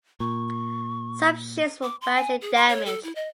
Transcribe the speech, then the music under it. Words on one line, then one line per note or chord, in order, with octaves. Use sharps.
Some ships were badly damaged.
A#2 C#6
D6
C6
G#5
G#4
C6
C#5
A4
E4
D#5